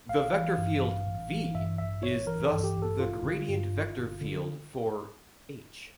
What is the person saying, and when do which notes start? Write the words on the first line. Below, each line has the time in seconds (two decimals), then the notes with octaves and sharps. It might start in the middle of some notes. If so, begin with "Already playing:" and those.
The vector field "V" is thus the gradient vector field for "h".
0.09 A1 F5
0.33 E3
0.57 G2
0.82 A1
1.06 A1
1.30 E3
1.54 G2 E5
1.78 A1 E5
2.03 A1 C#5
2.27 E3 A#4
2.45 A4
2.51 G2
2.64 G4
2.75 A1
2.82 A4
3.00 G1 F4
3.24 D3
3.49 G2
3.73 G1
3.97 G1
4.21 D3